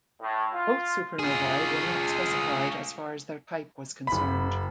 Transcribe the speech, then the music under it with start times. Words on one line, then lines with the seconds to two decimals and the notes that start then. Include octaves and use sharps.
Both supernovae were not specified as far as their type was concerned.
0.21 A2
0.53 F4
1.19 F4 G#4
4.07 F#1 B5